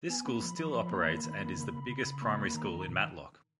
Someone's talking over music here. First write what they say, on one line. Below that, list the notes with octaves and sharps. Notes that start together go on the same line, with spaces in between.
This school still operates and is the biggest primary school in Matlock.
B3 G#5
A#3 B5
F3
F3
C#6
F3
B5
A#3 A#5
A#5
D#3 B5
D#3 B5
A#3
C#3
C#3
C#3
C#3
A#3 B5
A#3 C#6
B5
D#3 A#5
D#3
A#2